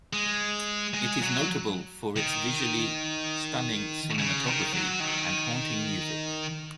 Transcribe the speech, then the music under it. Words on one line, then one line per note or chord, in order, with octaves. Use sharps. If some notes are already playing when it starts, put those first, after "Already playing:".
It is notable for its "visually stunning cinematography and haunting music".
G#3
G#3
F#3
D#3
C#3
D#3
F#3
D#3